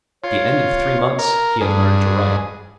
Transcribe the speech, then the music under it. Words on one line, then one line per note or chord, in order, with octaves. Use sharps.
At the end of three months he had learned to write.
F4 C#5
A#4
G2 D4 G#4